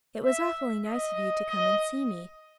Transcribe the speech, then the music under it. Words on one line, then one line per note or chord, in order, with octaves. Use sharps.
"It was awfully nice of you to come and see me."
E5
D#5
D#5